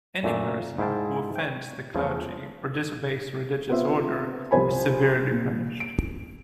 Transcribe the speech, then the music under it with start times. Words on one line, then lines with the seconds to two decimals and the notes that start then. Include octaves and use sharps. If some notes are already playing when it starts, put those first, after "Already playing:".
Any person who offends the clergy or disobeys religious order is severely punished.
0.23 F#2 A#2 A3 D4
0.78 G#2 E4 F5 G5 A5
1.36 C#5 G5
1.95 E2 C#3 F3 A3
3.69 B3 C4 F4 E5
4.51 C2 F3 C5 G#5 B5
5.31 A#2
5.80 D7